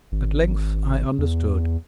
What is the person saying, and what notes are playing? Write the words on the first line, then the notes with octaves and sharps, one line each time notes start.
At length I understood.
G#1
E2
E2